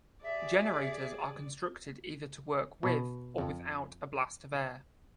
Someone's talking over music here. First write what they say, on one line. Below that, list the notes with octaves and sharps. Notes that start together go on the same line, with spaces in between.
Generators are constructed either to work with or without a blast of air.
G4 G#4 D5 E5
B2
F2